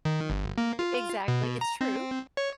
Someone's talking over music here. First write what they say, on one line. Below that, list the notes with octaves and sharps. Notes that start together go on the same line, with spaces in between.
Mhm, ye exactly, it's true.
D#3
G1
A#3
F4
B2
A#5
C4
C#5